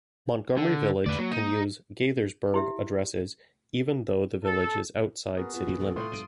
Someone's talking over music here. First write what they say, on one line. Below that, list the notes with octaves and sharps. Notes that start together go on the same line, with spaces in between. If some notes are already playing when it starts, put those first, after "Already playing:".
Montgomery Village can use Gaithersburg addresses even though the village is outside city limits.
D3
E2 D3 A3 B4 D5
F#3 A#3
D#4
E4 G4 E5
A4
B3 F#4 G#4 A#4
B3 F4
F2 D3 A#3
A#1 E2 A#2 A4
A2 C3 E3 F4 C6 D#6
G2 B2 F3 D7 D#7